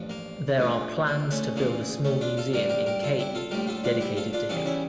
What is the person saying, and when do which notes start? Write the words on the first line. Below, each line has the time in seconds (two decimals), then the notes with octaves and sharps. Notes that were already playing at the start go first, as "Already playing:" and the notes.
There are plans to build a small museum in Cayey dedicated to him.
Already playing: A1 G2 F3
0.09 A#3
0.58 D2 D3 F3
1.07 A#3
1.31 A3 C#4
1.56 D2 C#3 E3 A#3
2.05 A3 C#4
2.21 D4 F4
2.37 F4 A4
2.53 G2 D3 G3 G4 A#4
2.69 G4 A#4
2.86 G4 A#4
3.03 F4 A4
3.19 E4 G4
3.35 F4 A4
3.51 A#1 A2 G3 G4 A#4
3.67 F4 A4
3.84 D4 F4
4.00 E4 G4
4.17 F4 A4
4.33 D4 F4
4.49 E2 C#3 E3 G3 F4 A4
4.66 C#4 E4